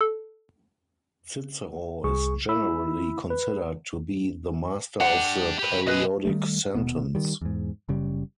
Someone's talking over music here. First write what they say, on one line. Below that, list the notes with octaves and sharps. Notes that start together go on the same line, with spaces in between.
Cicero is generally considered to be the master of the periodic sentence.
A4
C2 G#4 C#6
E4 B5 E6
B4
D4 G4 F#5
G4 B4
B2 G#4 B4 D#5
D#3 G3 A3
D#1 E2 B2 B3
D#3 G3
E2 G#2
F#1 C#3 G3